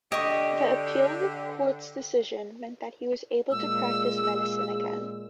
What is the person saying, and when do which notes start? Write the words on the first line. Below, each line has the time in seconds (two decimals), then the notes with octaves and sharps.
The Appeal Court's decision meant that he was able to practice medicine again.
0.12 D3 G4 D#5 C#6
3.51 A#2 G#3 E6